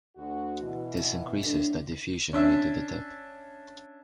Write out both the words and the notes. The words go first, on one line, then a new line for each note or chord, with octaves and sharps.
This increases the diffusion rate to the tip.
D2 F#4
B2 E3
F2
A2 D3
C#4 D4 E5